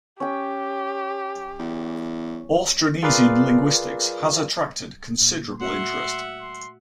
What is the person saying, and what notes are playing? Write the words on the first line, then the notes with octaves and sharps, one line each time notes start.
Austronesian linguistics has attracted considerable interest.
C#4 G4 G5
E2
F4 G#4 A#4 B4 D5 F5
A#2
A3 F#4 E5 F#5 C6
C6